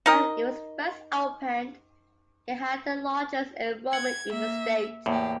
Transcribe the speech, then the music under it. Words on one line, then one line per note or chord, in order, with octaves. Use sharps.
When it was first opened, it had the largest enrollment in the state.
D#4 A#4 D#5
F#5 G#6
A#3 E5
E2 A2 A#3 G4